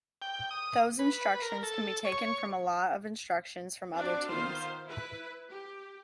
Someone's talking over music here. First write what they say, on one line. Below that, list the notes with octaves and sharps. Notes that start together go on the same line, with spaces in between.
Those instructions can be taken from a lot of instructions from other teams.
G5
D#6
B4
A#4
A4
C#5
C4 D4 F#4 D5
D#3 B3 F4 C5 F5 C6
E4 B4
G4